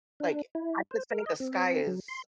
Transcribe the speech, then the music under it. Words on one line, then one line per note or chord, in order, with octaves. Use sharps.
Like, I could say the sky is,
D4
E4
C5
A#4
D#5
C4
F#3
C6